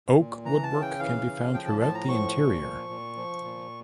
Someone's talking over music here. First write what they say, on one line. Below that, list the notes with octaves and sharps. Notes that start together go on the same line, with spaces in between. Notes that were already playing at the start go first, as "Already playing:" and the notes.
Oak woodwork can be found throughout the interior.
A#2
E3 A#5
A5
C#3
G5
E3 F5
C#3
F3 G5
A5
A2 A5
A#5
F3 C#6
A#2
F3
A#2
F3
A#2